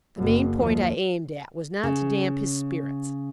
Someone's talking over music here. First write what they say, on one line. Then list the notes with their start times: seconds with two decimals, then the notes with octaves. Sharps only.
The main point I aimed at was not to damp his spirits.
0.17 F#1 F#2
0.59 D#2 F3
1.83 C#3